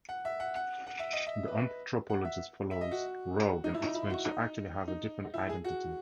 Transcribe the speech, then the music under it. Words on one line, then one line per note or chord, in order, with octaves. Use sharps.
The anthropologist follows Rogue and explains she actually has a different identity.
F#5
E5
F#5
F#5
F#5
E5
D#5
E5
B4
F#5
E5
E5
D#5
F#4
D#4
E4
D#4
E4
F#4
D#4
D#4
E4
G#4
F#4